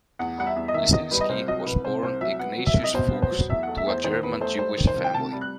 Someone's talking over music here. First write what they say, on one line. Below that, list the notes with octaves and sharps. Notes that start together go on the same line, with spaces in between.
Lisinski was born Ignatius Fuchs to a German Jewish family.
E2 F#5
G3 F#5
E5
E2
D#5
D#3 E5
E2 D#5
G3 B4
D#5
C2 C5
F#3 D#5
C2 B4
C3 C5
C2 C5
F#3 E5
B3 F#5
F#3
E5
C2
D#5
B2 C5
B3
C5
F#3
E2 E5
A3 F#5
E5
E2 C5
D#3 C5
E2 B4
A3 C5
G3 C5
D#3
C5
C2
G5
C3 A5
G3
F#6